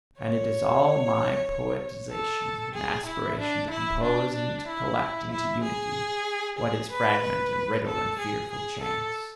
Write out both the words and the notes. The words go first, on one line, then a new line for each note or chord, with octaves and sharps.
And it is all my poetisation and aspiration to compose and collect into unity what is fragment and riddle and fearful chance.
C#5
A4
G#4
E4
D4
E4
D4
D4
E4
E4
G#4
G#4
B4
B4
A4
G#4
G#4
A4